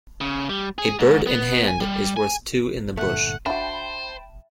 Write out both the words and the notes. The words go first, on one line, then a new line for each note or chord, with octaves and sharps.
A bird in hand is worth two in the bush.
C#3
G3
G#4
G#2
B3
G#5
G3
G#5
G2 A#2 D3 A3 F#5
D4 F#4 C5 E5 G5 A5 B5